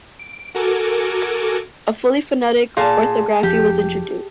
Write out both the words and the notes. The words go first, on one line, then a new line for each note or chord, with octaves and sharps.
A fully phonetic orthography was introduced.
D7
F#4 A4 A#4 G#5 D6
A#2 G#4 F5 A5
F1 F3 G4